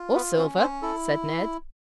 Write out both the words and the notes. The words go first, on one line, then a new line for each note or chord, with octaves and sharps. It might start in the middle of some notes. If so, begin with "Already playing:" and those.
"Or silver," said Ned.
Already playing: F4
B3 B4
C4 C#4 C5
C4 C5
E4 A4